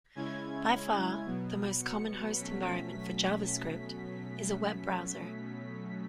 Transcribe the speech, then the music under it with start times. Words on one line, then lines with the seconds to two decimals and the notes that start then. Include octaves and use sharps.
By far the most common host environment for JavaScript is a web browser.
0.15 C#3 G#3 C#4 E4 G#6
1.25 B2 F#3 B3
1.82 C#7
2.36 B2 F#3 A3 C#4 B6
2.92 B6